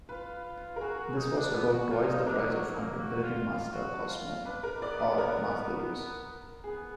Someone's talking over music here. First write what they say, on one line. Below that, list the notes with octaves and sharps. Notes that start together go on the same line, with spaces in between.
This was about twice the price of a contemporary Mazda Cosmo or Mazda Luce.
F4 B4
F4
A#4
F#4 G#4
F#4
D#4
D4
B3
F#4
F4
D#4
D4 A#4
F#3
A#3
F#4
F4
F4
F#4
F4
D4 B4
A#4
B3 D5
B3 B4
A#4
B3 G#4